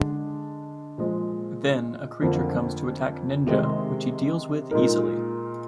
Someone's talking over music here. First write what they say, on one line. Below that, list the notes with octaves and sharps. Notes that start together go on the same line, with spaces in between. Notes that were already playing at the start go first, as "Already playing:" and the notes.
Then, a creature comes to attack Ninja which he deals with easily.
Already playing: D3 G#3 D4
A#2 F3 G#3
F2 D3 F3 A#3
C3 D#3 G#3 C4
A#2 G#3 D#4 A#4